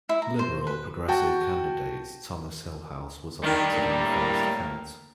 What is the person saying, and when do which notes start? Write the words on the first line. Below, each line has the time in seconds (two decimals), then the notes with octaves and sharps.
Liberal-Progressive candidate Thomas Hillhouse was elected on the first count.
0.09 E4
0.22 A#5
0.39 C5
0.67 B4
1.08 F#4 G5 A5
3.44 D#3 G3 D4
3.75 A2 A#3